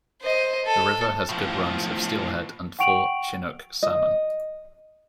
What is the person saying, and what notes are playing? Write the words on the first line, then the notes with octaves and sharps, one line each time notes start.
The river has good runs of steelhead and fall Chinook salmon.
C5 D#5
A4
A2 F3
F#5 G5 C#6 D7 F7 F#7
D#5